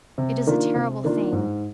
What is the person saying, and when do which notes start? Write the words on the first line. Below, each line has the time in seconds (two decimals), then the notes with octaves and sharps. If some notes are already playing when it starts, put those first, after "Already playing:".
It is a terrible thing.
0.18 C3
0.47 D#3 A#3 D4 F4
0.75 C3
1.04 D#3 A#3 D4 F4
1.32 G#2